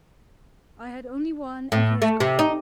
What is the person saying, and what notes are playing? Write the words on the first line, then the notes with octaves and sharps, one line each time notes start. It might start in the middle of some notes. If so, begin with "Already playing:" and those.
I had only one, and he has gone.
A2
A3
C3
D#4